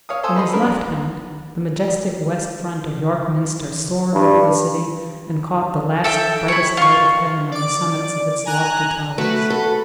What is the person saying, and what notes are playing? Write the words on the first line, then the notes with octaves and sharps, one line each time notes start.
On his left hand, the majestic west front of York Minster soared over the city and caught the last brightest light of heaven on the summits of its lofty towers.
C#5 F5 D#6
A4 C5 G#5 D#6 E6
B4 D#5 C6
C4 D4 A#4 B4
E2
G2
A4 E5 G5
E4 C#5
F4 C#6
D5 D6
G#5 A#5 F#6
A3 F#4 B4
A4